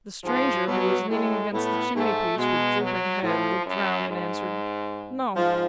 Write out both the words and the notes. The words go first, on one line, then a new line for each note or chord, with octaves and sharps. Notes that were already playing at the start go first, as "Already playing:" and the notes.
The stranger, who was leaning against the chimneypiece with drooping head, looked round and answered, 'No.
G#2 F3 G#3
B2 F#3
A2 G#3
A2 B3
G#2 A3
B2 G#3
F#3
A2 F3
F#2
G#2
G#2 F3